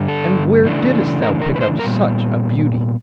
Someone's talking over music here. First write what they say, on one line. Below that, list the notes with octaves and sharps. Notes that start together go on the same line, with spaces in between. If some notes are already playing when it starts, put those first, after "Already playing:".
And where didst thou pick up such a beauty?
Already playing: G2 D3 G3
A4
C#3 E3 A3 D4
A#4
A#4
B4
C5
A#2 G3 B3 A#4